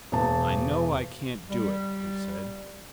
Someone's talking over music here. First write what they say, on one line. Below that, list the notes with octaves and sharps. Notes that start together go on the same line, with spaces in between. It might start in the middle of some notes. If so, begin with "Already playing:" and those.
"I know I can't do it," he said.
E1 A5
G3